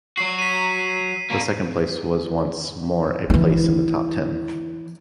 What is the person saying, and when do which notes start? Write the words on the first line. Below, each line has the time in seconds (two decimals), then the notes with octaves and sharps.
The second place was once more a place in the top ten.
0.17 F#3 F#4 C7
0.39 B6 D#7
1.30 B2 A#3
3.30 E3 E4